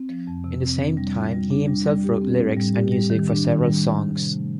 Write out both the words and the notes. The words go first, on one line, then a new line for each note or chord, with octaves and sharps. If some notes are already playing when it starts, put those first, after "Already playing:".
In the same time, he himself wrote lyrics and music for several songs.
Already playing: C4
F3
F2
C3
C4
D4
G3
F4
G3
D4
G3
G3
G4
C4
A2
G3
G4
G3
D#3
D4
D#3
G3
D#3
D#3
C3
A3